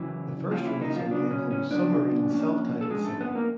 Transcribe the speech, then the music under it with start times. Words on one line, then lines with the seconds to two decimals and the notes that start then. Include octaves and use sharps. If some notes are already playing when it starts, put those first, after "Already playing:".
The first release on the label was Submarine's self-titled single.
Already playing: C#3 E3 F#3 C#4 E4
0.51 C#3 F3 F#3 A#3 C#4 F4
0.66 E3 E4
0.81 D#3 D#4
0.96 F3 F4
1.11 C#3 F#3 B3 D4
1.31 C#4
1.51 C#4
1.71 C#3 F#3 B3 D4
2.30 F2 D3 F3 A#3 C#4
2.81 A4
2.90 F2 D3 F3 G#3 C#4 G#4
3.05 A3 A4
3.21 B3 B4
3.35 A#3 A#4